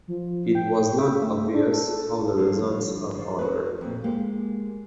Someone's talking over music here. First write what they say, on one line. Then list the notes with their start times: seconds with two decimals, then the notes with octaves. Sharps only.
It was not obvious how the results are ordered.
0.08 F3
0.55 G5
0.98 E5
1.22 A3
1.52 D4
1.72 A4
2.37 G2 D3 F3 D4
3.15 F3 G#4
3.38 F#4 G#4 A#4 B4
3.81 F2 A#2
4.04 G#3 A#3 G4